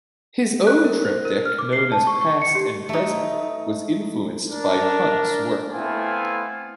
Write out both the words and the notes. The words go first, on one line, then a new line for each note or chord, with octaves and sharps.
His own triptych, known as "Past and Present", was influenced by Hunt's work.
F#6
A#4
C5
A#4
F6
D6
C7
A5
C#6
C#6
C#7
G4
A3 D#4
D4 A#4
A3 B3 C4 E4 F5 G#5